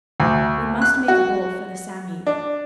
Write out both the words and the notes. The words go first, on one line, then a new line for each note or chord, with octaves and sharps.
We must make a bolt for the Psammead.
D2
F#6
F#4
D4